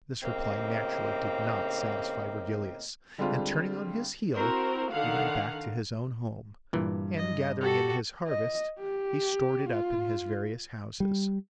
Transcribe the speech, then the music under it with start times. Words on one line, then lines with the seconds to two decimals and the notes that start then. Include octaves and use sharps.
This reply naturally did not satisfy Virgilius, and, turning on his heel, he went back to his own home, and, gathering in his harvest, he stored it up in his various houses.
0.22 A2 C#3 A#3 C4 D#4 G4
3.18 D3 G3 G#3 C4 D4 F4
4.33 C4 E4 F#4 A#4 C5
4.91 D3 D#3 F5 F#5
6.73 G2 A#2 E3
7.17 D#5
7.60 F#4 G4 A4
8.27 D#5
8.79 G4
9.69 F4
11.00 G3